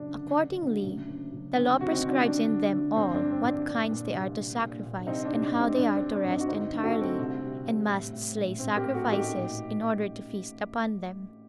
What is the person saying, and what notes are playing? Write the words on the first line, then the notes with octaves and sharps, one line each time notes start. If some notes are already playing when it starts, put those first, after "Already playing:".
Accordingly, the law prescribes in them all what kinds they are to sacrifice, and how they are to rest entirely, and must slay sacrifices, in order to feast upon them.
Already playing: F#1 D4
D3
D3
D2
F#1
F#2
F#1
D2 C4
C3 F#4
C4 D#4
D2
D4 F#4
D3 D4
D3
D2
G1 C4
D4
G2
C4
G1
D4
A#2 D4
A#2
C2
A#2
A#2
A#1
C2 C4 D#4
D4
C3
D4
C2 C4
G1 D4
C4
G2
D4
G1
C4 D#4
F#4
D3 C4 D#4
D3
F#4 A4
D2
C4
C2
C3
C2
A2
A2
A#1
A2 C4
G4 A#4
A2
F#4 A4
A1
D#4 G4
A#2